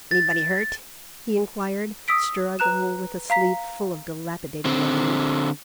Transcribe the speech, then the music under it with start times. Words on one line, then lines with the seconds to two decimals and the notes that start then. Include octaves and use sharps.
"Anybody hurt?" he inquired, struggling with a sleeve full of dilapidated lining.
0.11 A6
2.08 D#6 E6 B6 D7
2.59 B4 A#5 F#6 E7
3.30 F5 A#5 B6
4.65 D3 C4